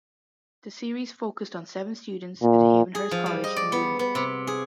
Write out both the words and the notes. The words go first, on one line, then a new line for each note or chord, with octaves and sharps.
The series focused on seven students at Havenhurst College in New England.
A#2
G#4
F3
G3
D#5
D5
B3
B3
C3
G#4